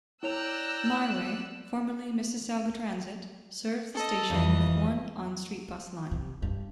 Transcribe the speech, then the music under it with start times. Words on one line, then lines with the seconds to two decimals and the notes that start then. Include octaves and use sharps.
MiWay, formerly Mississauga Transit, serves the station with one on-street bus line.
0.23 E4 C#5 D5 G5 A#5 E6 F#6 F7
3.94 A4 D#5
4.30 F2 E3 G3 D#5
6.11 C3
6.42 G2